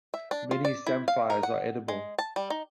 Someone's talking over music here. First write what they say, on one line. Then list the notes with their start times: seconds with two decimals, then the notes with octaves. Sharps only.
Many samphires are edible.
0.14 E5
0.31 D4
0.51 F4
0.65 D5
0.87 E4
1.08 F5
1.30 A#4
1.43 F#5
1.88 G#3
2.19 A5
2.36 G3
2.50 D#4